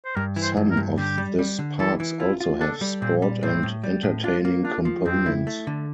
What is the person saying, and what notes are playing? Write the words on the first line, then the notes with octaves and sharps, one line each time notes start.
Some of this parks also have sport and entertaining components.
C5
G2 A#4
E3
C5
G2
A#4
G2
D3 G4
G3
G3
D3
E3 A4
E3
E4 F4
F4
D4 A4
G3
A#2 C4
G3
A2 C4
A2
G3
A2
D4 F4
A#3
D4 F4
F3
F2 C4
E4
A3
D3